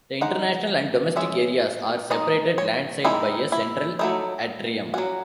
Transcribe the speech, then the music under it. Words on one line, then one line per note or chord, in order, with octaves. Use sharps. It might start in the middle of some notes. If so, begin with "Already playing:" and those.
The international and domestic areas are separated landside by a central atrium.
G#3 D#4 F#5
G#3 C#4 E5
G#3 D#4 D#5
C#5
D#3 G#3 D#4 E4
E4
F#3 A3 D#4 E4
F#3 C#4 F#4